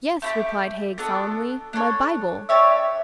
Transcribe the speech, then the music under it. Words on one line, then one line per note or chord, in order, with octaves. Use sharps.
"Yes," replied Haig solemnly, "my Bible!"
A3 E4 G4
B3 D4 F#4 A4
D4 A4 C#5
D4 G4 C#5 E5